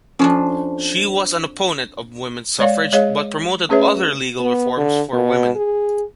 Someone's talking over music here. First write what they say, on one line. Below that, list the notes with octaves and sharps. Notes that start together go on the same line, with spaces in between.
She was an opponent of women's suffrage but promoted other legal reforms for women.
F2 F3 C#4 D4
G#3 C#5 D5 F5
G#3 G#4 C#5 D#5 F5
A3 C#4 G#4 B4 C#5 E5
B3
D3
B2
G#4